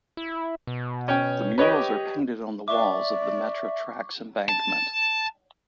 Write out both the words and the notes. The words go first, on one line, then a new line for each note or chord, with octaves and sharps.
The murals are painted on the walls of the Metra tracks embankment.
E4
B2
C#4 C#5 G5
G4 B4 C#5 D#5
D5 E5 C#6 D6
A5